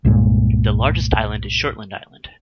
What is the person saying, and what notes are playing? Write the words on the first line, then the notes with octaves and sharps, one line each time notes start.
The largest island is Shortland Island.
C2 G2 A#2 G#3